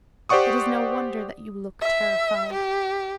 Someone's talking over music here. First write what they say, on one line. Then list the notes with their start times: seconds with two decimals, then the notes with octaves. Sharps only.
It is no wonder that you look terrified.
0.29 G4 C5 D5 F#5 C#6 D#6
1.81 E5
2.53 G4